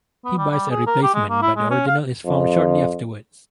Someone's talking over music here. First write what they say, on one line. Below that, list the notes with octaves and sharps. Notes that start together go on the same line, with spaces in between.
He buys a replacement, but the original is found shortly afterwards.
B3
G3
G3
G#4
A#4
G4
G#3
A#3
E4
G#3
C#4
F5
F2